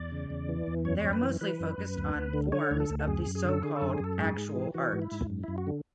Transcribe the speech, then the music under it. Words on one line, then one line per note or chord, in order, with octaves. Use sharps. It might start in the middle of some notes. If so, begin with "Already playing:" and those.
They are mostly focused on forms of the so-called "actual" art.
Already playing: E2 D5
C#3
E2
E3
E2
F#2 C#5
F#2 C#5
B4
E3
E3 B4
F#2
F#2
D2
D2
D3
D3 C#5
D2
A4
D2
A4
F#2 G#4
F#2
G#4
D3 A4
D3 G#4
A4
F#2
G#4
F#2 A4
G#2 G#4
G#2
E3
E3 F#4
G#2
E4
G#2
F#2
F#2 E4
F#4
D3